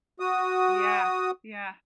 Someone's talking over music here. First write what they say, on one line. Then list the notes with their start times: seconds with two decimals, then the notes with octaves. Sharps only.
Yeah, yeah.
0.20 F#4 D#6